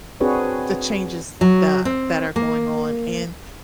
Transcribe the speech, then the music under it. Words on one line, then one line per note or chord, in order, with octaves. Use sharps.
the changes that that are going on, and
C4 D4 F#4 G#4 B4 C#5
F#3
C4
A#3